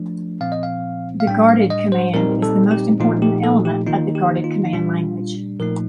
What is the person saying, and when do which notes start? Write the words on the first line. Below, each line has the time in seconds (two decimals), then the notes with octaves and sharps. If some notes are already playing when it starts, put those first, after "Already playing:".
The guarded command is the most important element of the guarded command language.
Already playing: F3 A3 D4
0.41 A#2 F3 C4 F5
0.52 D#5
0.63 F5
1.20 F5
1.27 A2 G3 D4 G5
1.49 F5
1.70 D#5
1.92 C5
2.14 A#2 G3 C4 D#4 A#4
2.42 A4
2.71 G4
3.00 A#2 F3 A3 D#4 F4
3.22 G4
3.43 A4
3.65 G4
3.87 D#3 A#3 D#4 F4
4.15 G4
4.44 F4
4.65 D#4
4.73 A#2 G3 D4 F4
5.60 A#2 F3 A3 D#4 A#4